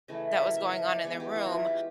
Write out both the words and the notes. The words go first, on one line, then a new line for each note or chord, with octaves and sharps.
that was going on in the room,
C#3 E3 A3 D#5
A4
A#4
E5
D#5
D5
E3 G#3 B3 C#5
G4
E4
F#4
F4
G4